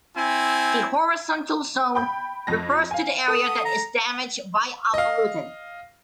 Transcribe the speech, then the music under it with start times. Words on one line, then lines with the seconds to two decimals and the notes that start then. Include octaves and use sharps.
The horizontal zone refers to the area that is damaged by a pollutant.
0.16 C4 E4 G#5
1.95 G5 B5 G6
2.47 F2 A#6
2.91 F5 G#5
3.28 A4 D#6
3.65 A#5
4.94 D#5 F5